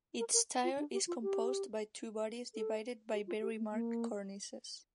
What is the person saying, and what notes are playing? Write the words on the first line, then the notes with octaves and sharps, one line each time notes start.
Its style is composed by two bodies divided by very marked cornices.
A#4
A#4
F4
D4
G4
F4
G4
A4
G4
F4
G4
A3
A#3